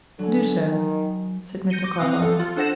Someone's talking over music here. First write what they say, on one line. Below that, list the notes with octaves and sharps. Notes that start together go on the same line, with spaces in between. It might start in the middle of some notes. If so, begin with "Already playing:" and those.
"Do so," said Mr. Carlyle.
D3 F#3 C#4
D#3
G6 A#6 C#7 D#7 G7
D6
E3 C4 F5 D#6 F#6
A4
F4
D4 A4 C5 F#5 A#6 E7